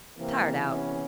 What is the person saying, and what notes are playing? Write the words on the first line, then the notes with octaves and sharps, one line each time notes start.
Tired out.
C3 E3 A#3 C4
B3 C#4